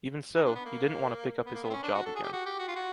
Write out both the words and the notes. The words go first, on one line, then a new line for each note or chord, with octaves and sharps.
Even so, he didn’t want to pick up his old job again.
D#4
D4
B3
A#3
B3
A#3
B3
C4
C#4
D4
F#4
A4
G#4
G4
F#4
G4
F#4
F4
F#4